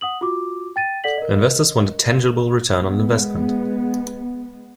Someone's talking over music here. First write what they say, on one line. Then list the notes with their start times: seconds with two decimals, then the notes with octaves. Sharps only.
Investors want a tangible return on investment.
0.01 F#5 D#6 F#7
0.21 F4 F#4 D6
0.76 G5 A6 D#7
1.04 A4 D5 F#5 B6 F#7
1.18 A#4 D#5
2.83 G#3 B3